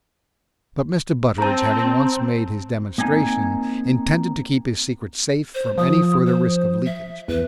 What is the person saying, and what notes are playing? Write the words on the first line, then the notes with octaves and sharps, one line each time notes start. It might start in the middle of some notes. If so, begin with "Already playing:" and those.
But Mr. Butteridge, having once made his demonstration, intended to keep his secret safe from any further risk of leakage.
C4 A5 A#5
A#3 C4 D#4 G#5
C5
F3 D#6
C5
E5
E2 B4